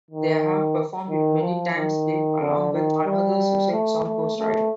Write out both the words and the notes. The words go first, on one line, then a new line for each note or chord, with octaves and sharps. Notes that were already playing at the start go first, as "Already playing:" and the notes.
They have performed it many times live, along with another Suicide song, "Ghost Rider".
D#3
D#3
F3
D#3
D3
D#3
G3
A3
A3
A3